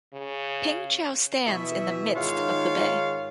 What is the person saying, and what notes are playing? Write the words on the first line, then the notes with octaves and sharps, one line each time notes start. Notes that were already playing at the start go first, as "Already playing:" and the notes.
Ping Chau stands in the midst of the bay.
C#3
B2 E3 E5
G#2 D#3 F4 C#5 F5